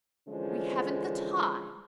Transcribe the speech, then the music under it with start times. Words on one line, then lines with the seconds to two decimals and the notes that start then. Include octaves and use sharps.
"We haven't the time."
0.28 D3 E3 F3 G#3 C#4 C5